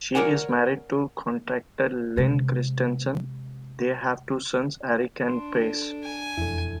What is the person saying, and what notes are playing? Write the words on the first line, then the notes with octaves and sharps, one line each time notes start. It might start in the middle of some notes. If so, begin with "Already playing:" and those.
She is married to contractor Len Kristensen; they have two sons, Eric and Bryce.
A#4 B4 C#5 D5 F#5 G#5
C3 G#3
D4 C6
A4
G#5
E1 F2 E4 A4